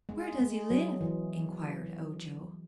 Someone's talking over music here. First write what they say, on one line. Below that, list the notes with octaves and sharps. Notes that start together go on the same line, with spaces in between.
"Where does he live?" inquired Ojo.
G#3
G#3
F#3
E3